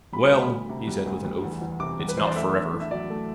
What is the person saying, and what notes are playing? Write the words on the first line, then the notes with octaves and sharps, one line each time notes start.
"Well," he said with an oath, "it's not forever."
G3 B5
D2
B5
D2
C3
G3
D2
G3
E2
E2
C3 D6
G3
B4
E2 C5
D5
A3 E5
D4
A2
E5
F#3 D5
A3